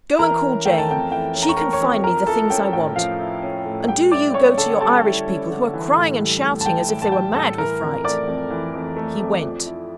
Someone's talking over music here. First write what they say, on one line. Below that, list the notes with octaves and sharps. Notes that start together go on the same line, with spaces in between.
'Go and call Jane,--she can find me the things I want; and do you go to your Irish people, who are crying and shouting as if they were mad with fright.' He went.
E3 A#4 A#5
C#4
A3 G5
A5
F2 G5
E3 G5
C#4
A#5
C#6
A3 A#4 A#5
C#5 C#6
F2
F3 A#4 A#5
E4 A4 A5
C#4 G5
A2 G5
F3 F5
E4
C#4
A2
G3 G5
E4 D5 D6
C#4 C#5 C#6
D3 A4 A5
G3 A4 A5
E4
C#4
D3
E3
A2
G3
A2
A5
E3 G5
A2
A5
G3 G5
A2 A4 A5
E3 A#4 A#5
F2
A3 D5 D6
F2
E3
F2
A3
F2
F3
E4